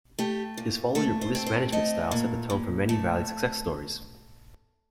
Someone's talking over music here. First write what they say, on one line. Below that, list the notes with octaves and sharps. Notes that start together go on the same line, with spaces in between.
His follow-your-bliss management style set the tone for many Valley success stories.
A3 G4
A#2
A3 A4
C5
C4
C5
A3 D#5
A#2
A#2
A3